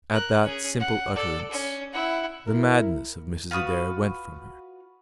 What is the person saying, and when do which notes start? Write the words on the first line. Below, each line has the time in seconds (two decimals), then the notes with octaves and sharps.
At that simple utterance the madness of Mrs. Adair went from her.
0.11 A#4 F#6
0.44 C#4 G#4
0.80 F#5
1.15 A4 D5
1.51 C#4
1.93 E4 F#5
2.47 E4 A#4
3.51 F4 F#4 B4 D#6